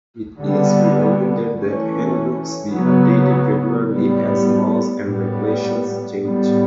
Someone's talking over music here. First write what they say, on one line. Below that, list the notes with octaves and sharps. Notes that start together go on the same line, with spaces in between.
It is recommended that handbooks be updated regularly as laws and regulations change.
D3 G3 B3
E3 A3 C#4
C#3 F#3 B3
A2 G3 B3
A2 G3 B3
A2 G3 B3